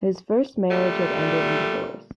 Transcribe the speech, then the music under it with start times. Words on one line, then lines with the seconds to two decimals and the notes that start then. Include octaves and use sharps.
His first marriage had ended in divorce.
0.71 A#2 D3 G3 A3